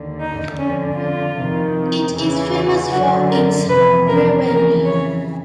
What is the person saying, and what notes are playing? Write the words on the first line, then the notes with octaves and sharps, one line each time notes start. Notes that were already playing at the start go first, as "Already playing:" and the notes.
It is famous for its brewery.
Already playing: D#2 D3
D#4
F2 D3 C#4
F4
F2 C3 D#3
E2 C#3 E3
F#2 D3 F#4
A#4
F2 C3 E3 B4
A#4
F2 C#3 E3 A#4
C#5